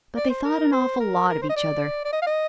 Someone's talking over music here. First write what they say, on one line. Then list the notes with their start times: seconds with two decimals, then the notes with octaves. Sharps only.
But they thought an awful lot of each other.
0.17 D5
0.30 C5
0.44 A#4
0.72 C5
1.00 A#4
1.28 A#4
1.42 C5
1.49 D#5
1.56 D5
2.05 D5
2.12 D#5
2.22 F5
2.27 D#5